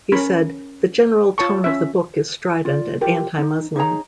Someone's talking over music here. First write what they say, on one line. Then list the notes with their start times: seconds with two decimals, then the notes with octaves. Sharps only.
He said: The general tone of the book is strident and anti-Muslim.
0.12 C#4 A#4 B5
1.38 F4 C#5 A5 C#6
1.64 C#4 E5
2.65 F4 D5
3.01 F4 G4 A#4
3.38 D#4
3.76 D#4 G#4 C#5 A#5